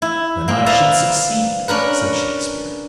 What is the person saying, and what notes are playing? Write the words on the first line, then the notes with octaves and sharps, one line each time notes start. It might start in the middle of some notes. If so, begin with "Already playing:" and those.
"Then I should succeed," said Shakespeare.
E4
A#3 C4
B4 D5 E5 F5 A#5
C#4 D4 A#4 B4